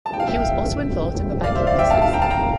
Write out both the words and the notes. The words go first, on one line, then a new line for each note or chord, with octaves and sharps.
He was also involved in the banking business.
A5
G5
F5
E5 G5
D5 F5
C5 E5
D5 F5
E5 G5
F5 A5
F5 A5
G5 A#5
F5 A5
G5 A#5